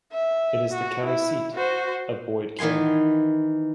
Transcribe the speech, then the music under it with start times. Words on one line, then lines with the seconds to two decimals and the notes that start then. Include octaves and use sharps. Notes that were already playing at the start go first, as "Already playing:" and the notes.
It is the county seat of Boyd County.
0.12 E5
0.73 F#4
1.05 E4
1.54 F#4 C5
2.59 D#3 E3 B3 G#5 C6